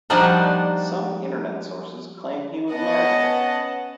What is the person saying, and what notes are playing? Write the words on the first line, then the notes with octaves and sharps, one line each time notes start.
Some internet sources claim he was married.
F3 G3 A#3 D4 D#4 F#4
B3 C#4 D#5 F#5 A5